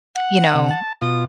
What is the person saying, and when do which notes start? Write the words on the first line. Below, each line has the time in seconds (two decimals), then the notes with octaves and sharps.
you know,
0.15 F#5
0.54 C3
0.70 A5
1.02 B2 F4 D#6